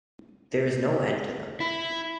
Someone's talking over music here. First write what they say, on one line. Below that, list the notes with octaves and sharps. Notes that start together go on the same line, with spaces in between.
There is no end to them!
E4